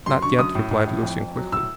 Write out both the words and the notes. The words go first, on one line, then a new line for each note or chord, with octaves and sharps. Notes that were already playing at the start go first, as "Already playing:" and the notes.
"Not yet," replied Lucian quickly.
F#2 C6
D3 C#6
F#2 D#6
A2
A2
A2
F2
F2
F#3
A2 E6